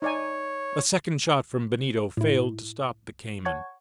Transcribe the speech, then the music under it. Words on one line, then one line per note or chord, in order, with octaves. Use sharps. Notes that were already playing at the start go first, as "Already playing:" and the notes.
A second shot from Benito failed to stop the cayman.
D#4 C#5 D5 G#5
A2 E4
C#5 F#5 A5 C#6 G#6